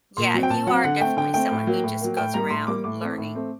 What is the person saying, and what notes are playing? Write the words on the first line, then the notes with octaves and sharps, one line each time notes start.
yeah, you are definitely someone who just goes around learning
A#2 C6
F#3 C4
G5
A#2 A5
F#3 C4 F#5
D3 F#5
A3 C4 G5
D3 G5
A3 C4 G5
A2
F#3 A#3
A2
F#3 A#3
A2 G5
G3 A#3 A#5
A2 C6
G3 A#3 D6
A2 D6
A3 C4
A2
A3 C4